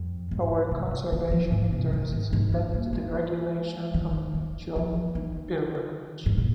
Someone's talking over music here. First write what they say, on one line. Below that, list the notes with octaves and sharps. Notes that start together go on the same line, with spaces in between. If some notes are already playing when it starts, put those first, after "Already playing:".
Power conservation interests led to the regulation of mutual pilgrimage.
Already playing: F2
G#2
C3
D#3
F3
G#2
C3
D#3
G#2
G#2
G#3
A#3
G#3
D#3
D#3
F3
D#3
G#2
A#2